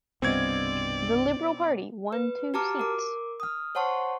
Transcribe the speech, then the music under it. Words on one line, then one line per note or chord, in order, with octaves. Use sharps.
The Liberal Party won two seats.
C2 G2 B2 C4 F4 D5 D#5 G#6
B4
F#4 G4 A5 A#5 D6 F6
A#4 D6
D#6 F6
C5 C#5 F#5 A5 C6 C#6